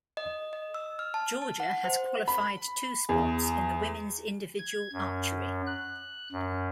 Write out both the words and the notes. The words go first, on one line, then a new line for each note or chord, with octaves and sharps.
Georgia has qualified two spots in the women's individual archery.
D#5
D#5
E6
F6
A5
A5
F#5
C5
B5
E2
G#6
F#2
F#6
F#2